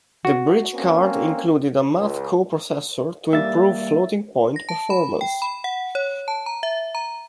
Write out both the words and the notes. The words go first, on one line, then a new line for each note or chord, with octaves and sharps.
The bridge card included a math co-processor to improve floating-point performance.
F#4
A#3 C4 C#4
C#2
G3 A#3 E5 A6
A#6
A5
B5
G5
B5
F#5
C#5
A5
A#5
E5
A#5